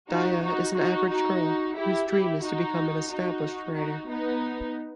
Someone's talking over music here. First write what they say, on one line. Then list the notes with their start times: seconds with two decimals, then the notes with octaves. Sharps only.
Daya is an average girl whose dream is to become an established writer.
0.10 D#4 F#4
0.43 D#4 F#4
0.77 D#4 F#4
1.10 D#4 F#4
1.77 E4 G4
2.10 E4 G4
2.43 D#4 F#4
3.10 D#4 F#4
3.76 D#4 F#4
4.09 B3 D#4